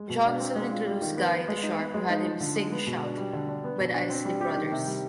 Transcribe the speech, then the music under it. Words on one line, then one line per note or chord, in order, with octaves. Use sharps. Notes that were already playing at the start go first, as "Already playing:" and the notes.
Johnson introduced Guy to Sharp who had him sing "Shout" by the Isley Brothers.
Already playing: G#3
B2
D4
C4
G#3
F4
G3
D#3
B3
B3
G#3
D#4
B3
G#3
D#4
F3
D3
G#3
B3
B2
D4
G3
D3
D4
B3
B2
D4
C4
G3
G4
D#3
C3
G3